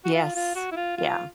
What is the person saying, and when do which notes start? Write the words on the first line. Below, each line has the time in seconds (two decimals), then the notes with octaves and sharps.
Yes. Yeah.
0.05 F#4
0.14 F4
0.35 F4
0.55 F#4
0.72 E4
0.76 F4
0.97 F4